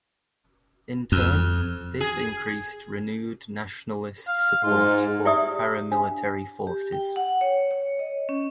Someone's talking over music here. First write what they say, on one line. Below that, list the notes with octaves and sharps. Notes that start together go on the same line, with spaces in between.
In turn, this increased renewed nationalist support for paramilitary forces.
F2
G#4
F5
G#2 F4
E4 G4 D5 E5 D#6
D4
G4
G5
F#5
C#5
C#5
D#5
C#4